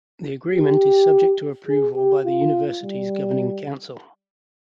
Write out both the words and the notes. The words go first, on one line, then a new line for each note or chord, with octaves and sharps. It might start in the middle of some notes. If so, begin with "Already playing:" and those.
The agreement is subject to approval by the university's governing council.
G4
G#4
G4
F4
G3